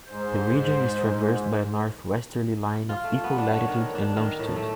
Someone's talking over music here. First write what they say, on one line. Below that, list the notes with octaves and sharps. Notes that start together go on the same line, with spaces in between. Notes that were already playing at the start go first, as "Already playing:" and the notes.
The region is traversed by a northwesterly line of equal latitude and longitude.
G#2 C5
F4
A3
B3
D4
C#5
D#3
D4
D#3
A2
A3